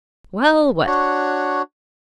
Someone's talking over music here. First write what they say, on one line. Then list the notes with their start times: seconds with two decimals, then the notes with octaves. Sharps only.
"Well, what?"
0.87 D4 F#4 C#5